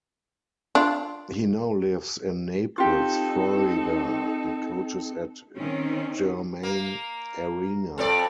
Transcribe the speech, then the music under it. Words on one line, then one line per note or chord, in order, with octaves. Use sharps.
He now lives in Naples, Florida, and coaches at Germain Arena.
D4 F4
C4 D#4 F4 G4 A4
D#3 C4 C#4
A#3
F2 A4 D5